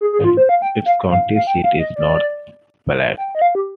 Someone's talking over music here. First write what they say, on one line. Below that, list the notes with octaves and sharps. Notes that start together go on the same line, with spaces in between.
Its county seat is North Platte.
G#4
G#4
F4
C5
F5
G5
F5
F5
F5
G5
F5
D#5
D5
G5
D#5
F5
G4